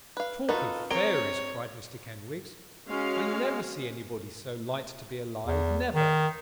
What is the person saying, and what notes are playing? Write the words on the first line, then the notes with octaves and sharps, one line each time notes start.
'Talk of fairies!' cried Mr Kenwigs 'I never see anybody so light to be alive, never.
B4 F5
D#4 F4 F#4 A4 B4
C4 G#4 A#4 C#5 D7 G7
G#3 C#4 F#4 F5
E2
D#3